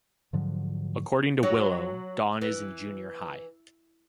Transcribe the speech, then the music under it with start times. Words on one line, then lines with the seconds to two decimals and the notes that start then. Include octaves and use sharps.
According to Willow, Dawn is in junior high.
0.33 G#2 D3 F3 F#3
1.43 F#3
2.41 E3